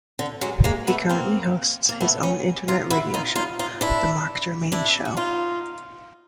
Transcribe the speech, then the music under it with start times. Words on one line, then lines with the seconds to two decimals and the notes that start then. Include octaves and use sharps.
He currently hosts his own internet radio show, "The Marc Germain Show".
0.19 D3
0.41 F#3 G#3
0.64 G#3 A#3
0.87 A3 B3
1.09 A#3 C4
1.89 A#3
2.01 A3 B3
2.23 C#4 D#4
2.68 D#4 F4
2.90 E4 F#4
3.14 D#4 F4
3.35 D#4 F4
3.59 D#4 F4
3.81 D4 E4
4.72 D4 E4
5.05 F#4
5.17 D#4 F4